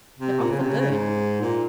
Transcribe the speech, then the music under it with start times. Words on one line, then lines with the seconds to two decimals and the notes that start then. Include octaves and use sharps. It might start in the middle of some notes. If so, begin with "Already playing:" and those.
"They're awful good."
0.19 C3
0.39 A#2
0.50 C#3
0.60 C3
0.69 C#3
0.80 C#3
0.90 G#2
1.41 A#2